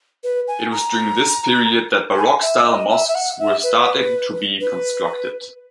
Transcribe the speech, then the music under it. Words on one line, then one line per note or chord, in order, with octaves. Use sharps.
It was during this period that Baroque-style mosques were starting to be constructed.
B4
G#5
A#5
G#5
E5
D#5
E5
E5
F#5
E5
B4
B4